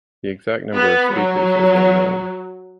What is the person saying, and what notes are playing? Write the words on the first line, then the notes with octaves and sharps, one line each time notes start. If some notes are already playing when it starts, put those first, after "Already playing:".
The exact number of speakers is unknown.
B3
F#3